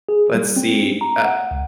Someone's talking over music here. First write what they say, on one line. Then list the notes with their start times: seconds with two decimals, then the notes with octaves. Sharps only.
Let's see, uh
0.09 G#4
0.35 G3
0.56 C4
1.01 A#5
1.25 F#5
1.51 C#2